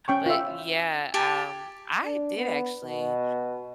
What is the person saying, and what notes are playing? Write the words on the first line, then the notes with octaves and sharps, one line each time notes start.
But, yeah, um, I did actually
C#4 G5 C#6
F4 E5
G4 G#5 A5
D4
B3
B2